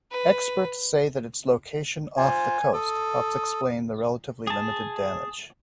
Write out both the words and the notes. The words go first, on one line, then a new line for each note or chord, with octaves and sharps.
Experts said that its location off the coast helps explain the relatively limited damage.
B4
F4 C5 G#5
A4 D#6
G#4 A5